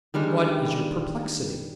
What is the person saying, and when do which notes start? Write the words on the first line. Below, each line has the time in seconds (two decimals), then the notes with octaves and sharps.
"What is your perplexity?"
0.14 D#3 G3 G#3 D4